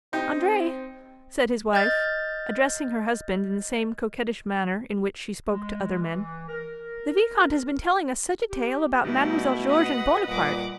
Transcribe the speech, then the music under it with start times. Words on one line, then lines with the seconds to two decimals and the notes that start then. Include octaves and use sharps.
"Andre," said his wife, addressing her husband in the same coquettish manner in which she spoke to other men, "the vicomte has been telling us such a tale about Mademoiselle George and Buonaparte!"
0.13 C4 D#4 G4
1.73 D#5 F6 G6 A6
5.50 G#3
6.02 E3
6.48 A#4
8.50 G4
9.04 B2 G3 A3 D#4 E4
9.69 B4 D#5 F#5
10.27 A#2 G3 F#5 D6